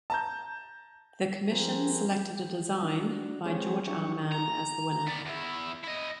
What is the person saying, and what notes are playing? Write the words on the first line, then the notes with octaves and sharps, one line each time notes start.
The commission selected a design by George R. Mann as the winner.
A5 A#5 G6
F3 C4 G4 G#4 A#4
G4
D4 F#4
F3 G#3 C4 G4 G#4 C#5
F#3 D4 E4 G4 C#6
A#5
B3 D5
E2 E4
E4 D#5